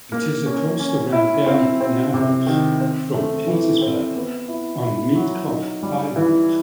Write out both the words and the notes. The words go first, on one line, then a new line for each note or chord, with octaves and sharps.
It is across the Wrangell Narrows from Petersburg on Mitkof Island.
A#3
C#4
C#4
E4
C4
C4
C3
D#3
C4
A3
E3
C4
B3
E4
E4
F#3
D#4
G3
E3